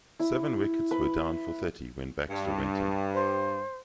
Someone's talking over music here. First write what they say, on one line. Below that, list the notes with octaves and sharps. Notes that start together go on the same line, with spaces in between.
Seven wickets were down for thirty when Baxter went in.
E4
B4
G2
C5